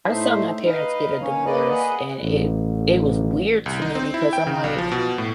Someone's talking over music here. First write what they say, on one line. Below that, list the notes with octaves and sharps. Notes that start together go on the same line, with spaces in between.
I saw my parents get a divorce and it it was weird to me because I'm, like,
A2 A3 D#4 C5 E5
D#4 B4 D#5 F5
A#3 C#4 C#5
A#3 B4 D5 D#5
G#4 B4 D#5 F#5
A1
C2
D#4
C4
E4
G5
C#3
B1
F3
B2
A2